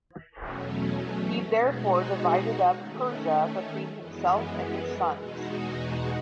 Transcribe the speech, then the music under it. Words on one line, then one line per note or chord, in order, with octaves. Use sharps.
He therefore divided up Persia between himself and his sons.
E2 B2 F#3 A3 C#4
B2 G#3 D#4 F#4
D#3 A3 C#4
F#2 E3 G#3 B3
E2 B2 G#3 D#4 F#4